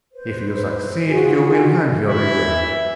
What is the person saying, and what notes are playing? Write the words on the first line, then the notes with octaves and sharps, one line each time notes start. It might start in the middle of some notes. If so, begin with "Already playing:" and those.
If you succeed, you will have your revenge.
B4 C5
F4 F#4 G#4 G#5
E3 E4 E5